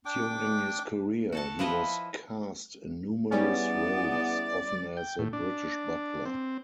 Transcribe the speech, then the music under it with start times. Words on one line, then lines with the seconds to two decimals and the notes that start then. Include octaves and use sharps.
During his career, he was cast in numerous roles, often as a British butler.
0.05 D4 G5 D6
1.32 F#4 A4 A5
1.59 F3 E4 B4 D#5
3.31 E2 E3 G3 B3 C#4 D5
4.97 G5
5.19 A2
5.33 D4
6.26 C4